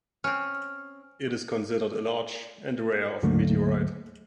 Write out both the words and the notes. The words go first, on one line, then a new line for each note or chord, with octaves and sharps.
It is considered a large and a rare of meteorite.
C4 C#4 F6
D2 G#2 D3 F#3 A3 A#3